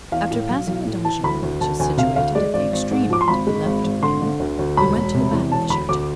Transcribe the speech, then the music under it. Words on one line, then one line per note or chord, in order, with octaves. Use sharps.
After passing the donjon, which is situated at the extreme end of the left wing, we went to the back of the chateau.
E2 F5
A2
B1
B1
A2
E3 A5
D2 B5
D2
D2 A5
D2 G#5
C3 F5
D2 F5
G#3 D5
G#1 D5
G#1
G#2
F3 D6
C6
G#1 B5
G#3
G#1
G#1
D3 C6
D3
D2
D2
E1 B5
E1
C3
E2
E1 A5
D2 B5
D2 D6